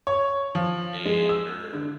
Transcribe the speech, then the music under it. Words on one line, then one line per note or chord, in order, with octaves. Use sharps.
and her
C#5
F3
G#3
E6
D3